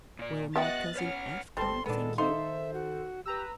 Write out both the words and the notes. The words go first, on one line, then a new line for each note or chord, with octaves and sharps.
Will my cousin F. come, think you?
A#2 D5
B3 G4 D#5 E5 F#5 G5 F#6 A6
C#4 B4 C#5 F#5 F6
G1 G3 C4 A4 A5 C6
A#2 D#3 G#3 B3 D4 A4
D#3 D#4 A4 C5 E5 F5 C6
F#4
G4 B4 A#5 E6